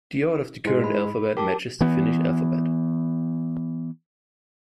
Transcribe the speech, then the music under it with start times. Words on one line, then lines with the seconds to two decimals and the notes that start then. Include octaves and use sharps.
The order of the current alphabet matches the Finnish alphabet.
0.65 G#2 G#3 E4
0.84 B5
1.37 G4 A#4 A5 D6
1.81 E3 B3